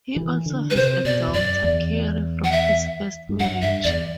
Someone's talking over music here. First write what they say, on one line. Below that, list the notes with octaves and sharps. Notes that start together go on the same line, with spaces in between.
He also has a daughter, Cary, from his first marriage.
E3
D3
B4
C3 C5
B2 D5
E2
F#2 D5
E2
F#5
E5
G2
F#2 F#5
G2 E5
E2 D5